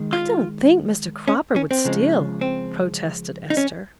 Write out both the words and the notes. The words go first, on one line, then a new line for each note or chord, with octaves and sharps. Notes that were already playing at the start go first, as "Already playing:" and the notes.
"I don't think Mr. Cropper would steal," protested Esther.
Already playing: D#3 G#3
F4
C#4
C#4
C4
C#3 F3 G#3
C4
D#4
C#4